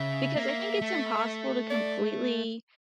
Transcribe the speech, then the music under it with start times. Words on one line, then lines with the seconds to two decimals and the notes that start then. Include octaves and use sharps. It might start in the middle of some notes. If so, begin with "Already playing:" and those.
because I think it's impossible to completely
Already playing: C#3 E5
0.36 A#3
0.82 A3
1.70 D5